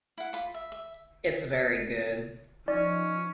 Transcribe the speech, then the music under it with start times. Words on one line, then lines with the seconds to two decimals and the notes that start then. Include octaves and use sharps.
It's very good.
0.18 E4 F#5
0.33 F4 B5
0.54 E5
0.72 E5
2.68 F3 C#4 D#4 D5